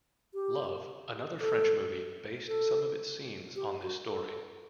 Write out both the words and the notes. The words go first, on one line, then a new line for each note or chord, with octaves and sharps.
"Love," another French movie, based some of its scenes on this story.
G4
A4
A4
G4
F#4
A4